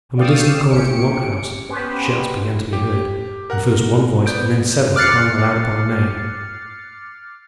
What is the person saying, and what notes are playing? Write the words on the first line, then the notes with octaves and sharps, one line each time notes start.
From a distant corner of the Moat House shouts began to be heard, and first one voice, and then several, crying aloud upon a name.
D5 F5 G5 C#6 D#6 E6
A1 C#4 G4 C#7 D7
B3 C#4 G4 B4 C5
G4
A#4 F#5 F#6
B3 D5 G6 D7
D6 F6 F#6 A6 C7 C#7